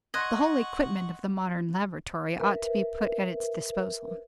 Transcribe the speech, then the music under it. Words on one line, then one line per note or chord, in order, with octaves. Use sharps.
The whole equipment of the modern laboratory ought to be put at its disposal.
D#5 F#5 C6 C#6 F#6 G#6
A#4 B4 E5